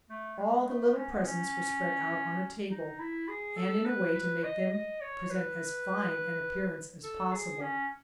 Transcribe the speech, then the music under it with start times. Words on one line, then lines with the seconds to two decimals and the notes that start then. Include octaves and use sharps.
All the little presents were spread out on a table, and in a way to make them present as fine an appearance as possible.
0.10 A3
0.38 G#3
0.67 A3
0.96 C#4
1.11 B3
1.25 C#4
2.70 D#4
2.99 E4
3.28 G#4
3.57 A4
3.85 B4
4.14 B4
4.43 D#5
4.72 D#5
5.01 C#5
5.30 B4
7.03 A4
7.32 G#4
7.61 C#4